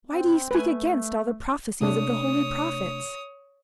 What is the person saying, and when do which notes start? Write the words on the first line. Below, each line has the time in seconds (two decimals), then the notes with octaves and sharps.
Why do ye speak against all the prophecies of the holy prophets?
0.08 C4
0.51 A3 B4 G#5
1.81 C3 A3 D4 C#5 D#6